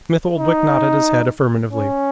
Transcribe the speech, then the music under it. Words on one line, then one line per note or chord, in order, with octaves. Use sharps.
Smith-Oldwick nodded his head affirmatively.
D#4
C#4